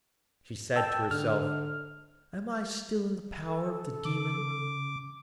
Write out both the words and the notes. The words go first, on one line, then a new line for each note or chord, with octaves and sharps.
She said to herself, 'Am I still in the power of the demon?
G5 A5 E6
D3 F6
A4
C#3 D6